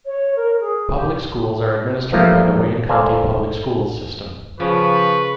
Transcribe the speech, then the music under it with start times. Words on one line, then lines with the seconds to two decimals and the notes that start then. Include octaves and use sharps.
Public schools are administered by the Wayne County Public Schools system.
0.06 C#5
0.36 A#4
0.60 G#4
0.94 G4
2.12 E3 F3 G3 A3 A#3
2.89 A4 A#4 C5 D5 F5 G#5
4.60 C#3 F3 B4 C#6